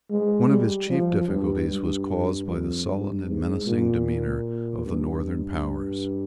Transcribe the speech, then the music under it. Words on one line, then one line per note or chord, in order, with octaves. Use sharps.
One of his chief difficulties was caused by the sullen and menacing demeanour of the Northern powers.
G#3
G3
F3
G2
G2
F2
G2
G#2
A#2
G2